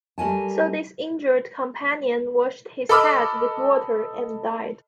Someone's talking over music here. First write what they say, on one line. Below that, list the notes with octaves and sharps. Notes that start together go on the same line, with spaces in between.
So this injured companion washed his head with water and died.
G3 A3 A#4 G#5 A5
A4 D#5 B5 D6 E6 F6